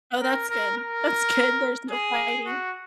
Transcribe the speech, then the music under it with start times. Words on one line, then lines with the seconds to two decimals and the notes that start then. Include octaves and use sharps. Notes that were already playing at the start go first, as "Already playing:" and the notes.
Oh, that's good. That's good, there's no fighting.
0.21 A#4
0.49 A#4
0.78 A#4
1.90 G#4
2.46 F#4